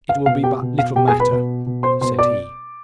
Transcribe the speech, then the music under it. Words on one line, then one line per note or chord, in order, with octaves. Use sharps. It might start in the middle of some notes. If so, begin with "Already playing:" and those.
'It will be but little matter,' said he.
F5
B2 F5
G4 G5
B2
F5
B2 G4 G5
G#4 G#5
B4 B5
B2
B2
C5 C6
B2 C5 C6
D5 D6